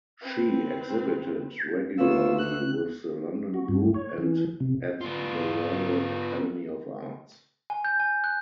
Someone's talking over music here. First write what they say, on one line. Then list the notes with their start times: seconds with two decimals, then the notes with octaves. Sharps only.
She exhibited regularly with the London Group and at the Royal Academy of Arts.
0.21 C4 B4
1.99 D2 B3 F4 B4 C#5 E6
2.39 F#6
3.54 F#4
3.68 G2
3.94 C#5
4.18 E3
4.60 C3
5.01 B3 F4
7.70 G#5
7.84 G6
8.00 G#5
8.24 F#6